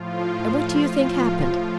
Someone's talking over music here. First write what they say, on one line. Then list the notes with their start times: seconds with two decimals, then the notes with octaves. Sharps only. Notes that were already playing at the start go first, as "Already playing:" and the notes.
And what do you think happened?
Already playing: A2 F3 F4
0.38 F4